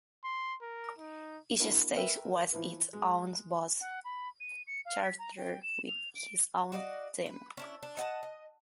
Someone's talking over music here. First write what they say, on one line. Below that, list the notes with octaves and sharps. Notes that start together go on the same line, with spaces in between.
Each stage has its own boss character with his own theme.
C6
A#4
D#4
A#3 D4 E4 F#4
A#4 B4 E5 G5
E3 F3 E4 B4
G#3
F#5
B5
D#7
C#7
F5
B6
A#5
G5
E7
F7
D7
F#4 D5 D#5 F5
B4
C#4 D4 E4
D4
D#5 F#5 G5 A5
D#5